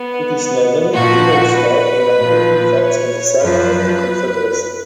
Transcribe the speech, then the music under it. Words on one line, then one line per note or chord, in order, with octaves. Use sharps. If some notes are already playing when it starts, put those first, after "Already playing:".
In this novel Dylan Stark reluctantly fights on the side of the Confederacy.
Already playing: B3
A#2 F3 F#4
B4
A#2 F3
C#5
F#2 F3 B4